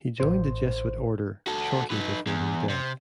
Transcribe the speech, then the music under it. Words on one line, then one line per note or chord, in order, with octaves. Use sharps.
He joined the Jesuit order shortly before his death.
A1 C5
F#4 A4
D#4 B4
E2
C3